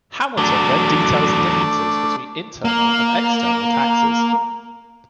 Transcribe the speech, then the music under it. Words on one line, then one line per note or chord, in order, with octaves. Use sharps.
Hamilton then details the differences between internal and external taxes.
E2 F#3 A3 D4
A#3 A#5